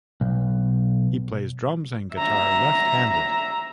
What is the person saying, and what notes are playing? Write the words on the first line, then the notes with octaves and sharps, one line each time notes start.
He plays drums and guitar left-handed.
B1
E5 A#5